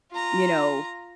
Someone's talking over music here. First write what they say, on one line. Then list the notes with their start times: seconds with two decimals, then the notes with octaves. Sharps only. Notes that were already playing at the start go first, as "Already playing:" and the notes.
you know,
0.11 F4 A#5